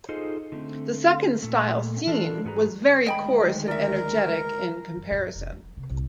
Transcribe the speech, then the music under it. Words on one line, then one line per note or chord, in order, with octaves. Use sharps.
The second style seen was very coarse and energetic in comparison.
D#4 F4 G#4 A4 C5 D#5
D3 A3 C4
A#2 A3
E3 D4 F4 A4 A#4
G#2 F#4 G#4 B4 G#5 A#5
D2 D#3 G#3 D#5 G5 B5
A#4 D5 E5
F#2
A#1 F#2
F1
F2
C3
C2 A#2